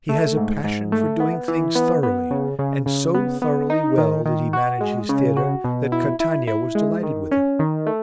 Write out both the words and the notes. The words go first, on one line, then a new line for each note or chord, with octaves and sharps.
He has a passion for doing things thoroughly, and so thoroughly well did he manage his theatre that Catania was delighted with him.
A3
G#2
G#2
A3
B3
E3
B3
B3
C#3
C#3
C#3
B3
B3
D#4
D#3
D#3
F#4
G#3
C#3
F#4
B2
E4
E4
E4
G#3
D#3
C#4
D#3
A3